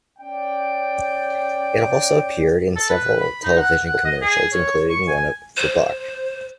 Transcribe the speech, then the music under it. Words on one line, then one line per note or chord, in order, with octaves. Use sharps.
It has also appeared in several television commercials-including one for Buick.
C#4 D5 G5
A4
B4
B5
D#4
F#5
F#5
D#5
G#4
C#5
C#6
G#5
C5